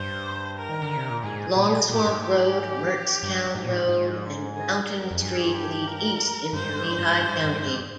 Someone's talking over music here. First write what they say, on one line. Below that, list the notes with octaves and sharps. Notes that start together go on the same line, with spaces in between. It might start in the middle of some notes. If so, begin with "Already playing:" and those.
Longswamp Road, Mertztown Road, and Mountain Street lead east into Lehigh County.
Already playing: G2 C5
A#4
D#3
D3
C3
A#2
G#2 G#4
A#2
A#2 G4
G#2
G2
G#2
G4
G2
G#2
A#2
G#2
G#2
G#4
A#4
F2
G2 G#4
G4
A#4
G2 C5
G#2
G2
G#2
G2
G#2
G2
G#2
G2
G#2
G2